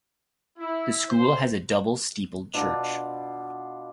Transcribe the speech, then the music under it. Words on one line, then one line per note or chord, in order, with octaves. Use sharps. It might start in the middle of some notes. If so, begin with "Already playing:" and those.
The school has a double steepled church.
E4
C5
B2 D4 F4